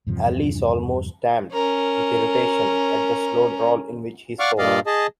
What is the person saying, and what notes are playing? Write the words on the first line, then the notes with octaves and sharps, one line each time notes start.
Alice almost stamped with irritation at the slow drawl in which he spoke.
E2 G2 C3 F3
C#4 A#4
D5 F5 F#5 C#6 D6 F6
G2 A#2 D5 D#5 F5
G#4 D#5 A5